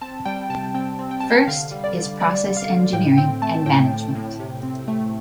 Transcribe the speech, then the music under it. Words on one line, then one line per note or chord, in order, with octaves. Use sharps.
First is process engineering and management.
C4 A5
G3 G5
C3 A5
C4 G5
C4
G5
C3 A5
G5
D3 F5
G3
D5
D3
G3 D5
D3
F5
D3
A2 G5
C4 G5
A3 A5
A2 G5
A2
A2
C3
C4
A3